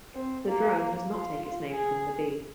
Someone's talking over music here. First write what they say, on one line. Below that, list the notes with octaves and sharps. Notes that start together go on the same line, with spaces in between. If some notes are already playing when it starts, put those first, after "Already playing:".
The drone does not take its name from the bee.
C4
A#3
F4
G#4